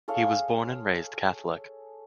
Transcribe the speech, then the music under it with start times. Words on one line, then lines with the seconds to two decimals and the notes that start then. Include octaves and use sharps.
He was born and raised Catholic.
0.08 G#4 A4 C#5 F5